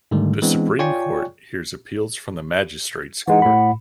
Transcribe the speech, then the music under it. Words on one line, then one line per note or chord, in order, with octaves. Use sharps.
The Supreme Court hears appeals from the Magistrates' Court.
G#2 D3 D#3 G3 A3
E3 G#3 B3 C4 D4
F4 C#5 D5 G5 G#5 C#6
E3 G#3 D#4 F#5
A2 B5